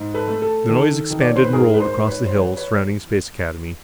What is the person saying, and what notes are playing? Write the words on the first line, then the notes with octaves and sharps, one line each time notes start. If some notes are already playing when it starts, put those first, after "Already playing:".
The noise expanded and rolled across the hills surrounding Space Academy.
Already playing: G#2
A4 B4
A3
A4
D#3 A4
D#3
D5
C#5
C5
B4
G#2 G#4 A#4
B4
A#4 C5
G#2
B4 C#5
C5
E3 B4 C#5
B4 C#5